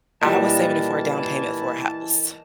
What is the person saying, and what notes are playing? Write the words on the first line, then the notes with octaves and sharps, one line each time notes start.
I was saving it for a down payment for a house.
A#2 E3 G3 E4 A#4 D#5 A5